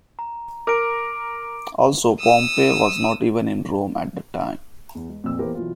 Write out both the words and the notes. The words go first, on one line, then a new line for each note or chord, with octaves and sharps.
Also Pompey was not even in Rome at the time.
A#5
A#4 D6 D7
D#6 E6
E2
G#3
F2 A#2 E6
E3 A#3 B3 G4 A#4 C5
B1 E3 F4